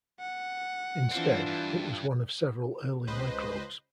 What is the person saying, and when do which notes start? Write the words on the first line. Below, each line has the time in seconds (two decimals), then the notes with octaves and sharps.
Instead, it was one of several early microbes.
0.20 F#5
1.11 E3 C4 D4 F4
1.47 G2
3.07 C#2 B4 C5 D#5